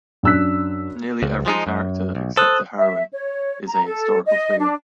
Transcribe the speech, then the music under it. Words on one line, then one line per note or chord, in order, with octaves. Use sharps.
Nearly every character - except the heroine - is a historical figure.
F#2 D4 E6 F#6 B6
C#2
F3 G#3 D#4
F#2
B1
A4 C5 D#6 F#6
E5
C#5
A#5
A4
D#5
D4